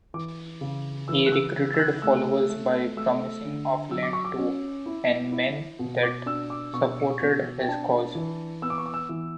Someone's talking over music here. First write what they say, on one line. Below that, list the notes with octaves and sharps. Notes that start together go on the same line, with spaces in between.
He recruited followers by promising of land to any man that supported his cause.
E3 D6
C#3
E3 E6
F#6
E6
C#3
E6
F#6
A3 E6
A3
A3 E6
D3
F#3 E6
D6
C#6
D6
C#4
E4
E4
B2
D6
D4 E6
D6
B2 C#6
B2
G5
D4 A5
E3
B3 E6
D6
C#6
D6
E6
E3